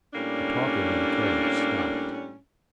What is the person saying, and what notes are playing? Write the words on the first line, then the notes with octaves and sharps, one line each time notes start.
The talking in the carriage stopped.
A2 G3 A#3 C#4 D4